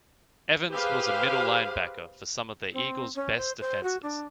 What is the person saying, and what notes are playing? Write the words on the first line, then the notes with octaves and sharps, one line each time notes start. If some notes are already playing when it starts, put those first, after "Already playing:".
Evans was a middle linebacker for some of the Eagles best defenses.
G4 G#4 B4 C5 F5
C4
C#4
C5
C5
F#4
D4